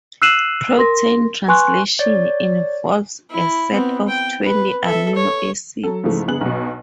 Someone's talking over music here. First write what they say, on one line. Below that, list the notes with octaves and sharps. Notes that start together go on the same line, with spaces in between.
Protein translation involves a set of twenty amino acids.
E6 F#6 C7 D#7 E7 F#7
A#4 C6 A#6
B4 G#5 C6 C#6 F#6
C#5 D5 A6
E4
B3 C4
G5
B4
A4 E5
C#5
F#3 A4
G#2 C#3 E3 F3 A3
G1 B3 G#4 F#6 F#7
B1 B2